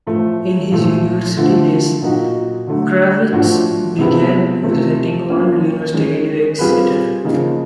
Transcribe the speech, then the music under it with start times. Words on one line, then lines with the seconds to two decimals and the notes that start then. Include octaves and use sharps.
In his university days, Kravitz began presenting on University Radio Exeter.
0.07 A2 F3 A3
0.72 A#2 F3 A3
1.37 D3 F3 A3
2.02 A#2 F#3 A#3 D#4 F#4
2.67 D3 F#3 A3
3.33 A2 F3 A3 D4 F#4
3.99 C3 F3 G#3 B3 E4
4.64 C3 F3 A3 C4
5.29 F3 A#3 C#4 F4
5.94 D#3 G#3 C#4
6.59 G3 C4 F4 G#4 B4
7.25 C#3 F3 A#3 D#4 G#4